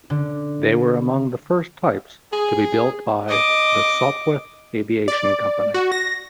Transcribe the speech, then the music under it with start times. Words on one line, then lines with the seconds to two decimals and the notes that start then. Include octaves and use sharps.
They were among the first types to be built by the Sopwith Aviation Company.
0.10 D3
2.32 G#4
3.28 D#5 D6
5.08 D5
5.74 F#4
5.92 A#6